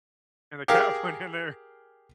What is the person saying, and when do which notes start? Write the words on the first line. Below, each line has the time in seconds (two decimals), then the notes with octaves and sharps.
and the cat went in there
0.68 G4 G#4 A#4 F5